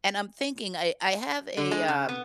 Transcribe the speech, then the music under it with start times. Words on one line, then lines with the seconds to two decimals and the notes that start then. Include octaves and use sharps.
and I'm thinking I I have a, um
1.57 D3
1.71 G#3
1.88 C#3
2.09 B3